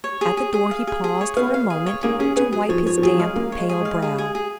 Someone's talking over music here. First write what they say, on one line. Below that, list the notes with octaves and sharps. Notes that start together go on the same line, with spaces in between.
At the door he paused for a moment to wipe his damp, pale brow.
C#5
G#4
G#4
G#4
F5
G#4
G#4
C#5
B3 F5
F5
G#4
C#5
A#3 G#4
C#4 G#4
B3 G#4
F#3 G#4
F3 C#5
F3 C#5
F3
F#3 G#4
F#3
G#3 F5
A#3 F5
C#5
G#3
G#4
G#3 F5
G#4
G#4
G#4